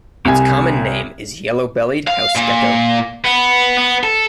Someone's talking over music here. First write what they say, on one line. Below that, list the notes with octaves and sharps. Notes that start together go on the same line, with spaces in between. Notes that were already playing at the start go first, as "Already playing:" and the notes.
Its common name is Yellow-bellied House Gecko.
C2 G#5
F5
A#2
B3
B3
A4